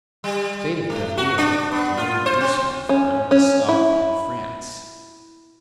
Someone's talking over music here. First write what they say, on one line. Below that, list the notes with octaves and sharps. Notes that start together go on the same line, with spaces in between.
The fate of Delisle was no inducement for them to stop in France.
G3
A3
F#4
D4
B3
F4
C5
C4
C#4
C#4
E4